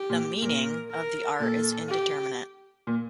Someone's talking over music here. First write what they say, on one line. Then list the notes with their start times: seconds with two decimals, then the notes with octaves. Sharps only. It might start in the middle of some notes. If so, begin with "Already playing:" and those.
The "meaning" of the art is indeterminate.
Already playing: G4
0.10 A#2
0.42 A#2 A#4
0.91 A#4
1.40 A#2 A4
1.89 G4
2.87 A#2